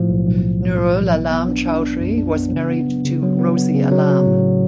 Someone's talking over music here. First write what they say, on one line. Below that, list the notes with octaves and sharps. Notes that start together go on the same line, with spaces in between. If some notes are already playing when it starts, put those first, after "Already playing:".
Nurul Alam Chowdhury was married to Rosy Alam.
Already playing: A2 F3
B1
B1
B1
B1
B1
B1
B3
B3
D4
D4
B3
F#2
D4
B3
C#3
B3
F#3
C#3
F#3
B3
B3
C#3
F#3
F#3
A2